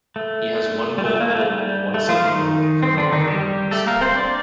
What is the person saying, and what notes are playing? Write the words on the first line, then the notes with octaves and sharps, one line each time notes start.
He has one gold medal and one silver medal from the Winter Olympics.
A3
G3
A3
A#3
A3
G3
A3
F3 F4
D#3 D#4
C4
D3 D4
D#3 D#4
G3 G4
A3 A4
A#3 A#4
C4 C5
D4 D5